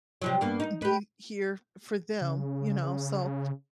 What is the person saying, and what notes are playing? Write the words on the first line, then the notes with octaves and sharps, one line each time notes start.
be here for them, you know, so.
C3 F3 F#3
G2 A#3 B3
D#4
G4 B4
C#3